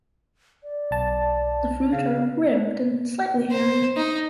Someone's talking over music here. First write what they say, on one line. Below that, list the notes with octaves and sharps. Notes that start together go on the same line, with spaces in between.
The fruit are ribbed and slightly hairy.
D5
B1 A5
C#3 F5
C5
D#4